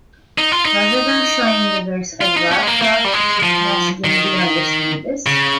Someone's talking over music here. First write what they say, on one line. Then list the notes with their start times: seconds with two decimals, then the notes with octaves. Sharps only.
Rather than showing users a rough draft and asking, Do you understand this?
0.38 D#4
0.52 F4
0.66 D#4
2.21 F4
2.37 D#4
2.52 C#4
2.62 G#3
2.67 A#3
2.82 A#3
3.05 G3
3.14 G#3
3.43 F3
4.05 D#3
5.26 C#3